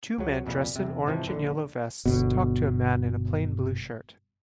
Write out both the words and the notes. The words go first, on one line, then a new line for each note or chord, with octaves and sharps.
Two men dressed in orange and yellow vests talk to a man in a plain blue shirt.
C#2 F#3
C2 F2 A#2 G3
E2 C3
G#2 C3 E3 F3
A#1 D#2 D3
G1 B2